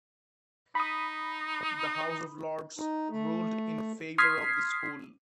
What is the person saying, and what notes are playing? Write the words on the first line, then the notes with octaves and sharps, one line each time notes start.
The House of Lords ruled in favour of the school.
D#4 B5 D#6
D#4
A3
C6 D#6 F6 G#6 B6 C7